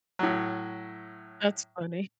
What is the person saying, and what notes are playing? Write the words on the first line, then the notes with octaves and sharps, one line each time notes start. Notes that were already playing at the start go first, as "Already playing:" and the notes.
That's funny.
A2 F#3